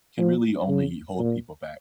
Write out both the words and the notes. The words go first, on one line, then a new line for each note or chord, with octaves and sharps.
can really only hold people back.
F3
C#3
A#2